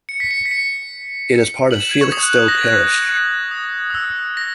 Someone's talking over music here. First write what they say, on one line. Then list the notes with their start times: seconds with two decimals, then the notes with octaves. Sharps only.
It is part of Felixstowe parish.
0.09 C#7
0.20 B6
0.31 C#7
0.45 B6
0.51 C#7
1.71 F#7
1.80 E7
1.91 G#6
2.01 C#6
2.12 D#6
2.23 F#6
2.48 A#6
2.58 G#6
2.65 F#6
3.09 F#6
3.51 D#6
3.90 D#6
3.95 E6
4.37 A#6